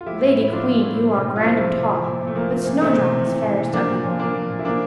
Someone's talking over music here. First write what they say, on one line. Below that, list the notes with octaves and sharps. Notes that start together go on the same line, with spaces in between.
"Lady queen, you are grand and tall, But Snowdrop is fairest of you all."
F4
F3 E4 G4
A2
A2 E4
F3 D4 F4
F3
A2
F3
C3
C3
F4
F3 C4 E4
F3
C3
F3
A#2
A#2
A3
F3 A#3
F3
A#2
E3 A3 C4
C3
C3
E3
E3
C3
F3 A#3 D4
A#2
A#2
F3 A#3 D4
F3
A#2
E4
F3 A#3 D4